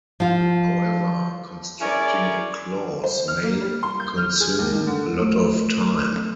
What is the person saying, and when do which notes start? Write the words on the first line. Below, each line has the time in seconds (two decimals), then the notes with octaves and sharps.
However, constructing a clause "may" consume a lot of time.
0.20 F3 F4
1.81 C#4 E4 G#4 A#4 D5
3.04 C5
3.28 F6
3.43 A#3
3.61 G3
3.83 C6
4.00 G6
4.18 F6
4.40 G#4
4.59 D#2
4.73 D#3
4.87 D3
5.21 A3